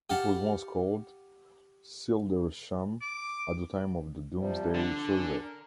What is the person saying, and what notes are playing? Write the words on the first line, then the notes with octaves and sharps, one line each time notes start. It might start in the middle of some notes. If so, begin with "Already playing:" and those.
It was once called "Cildresham", at the time of the Domesday survey.
G4 F5 F#5 A5
D6
C3 F3 G3
D3
G#5
A#4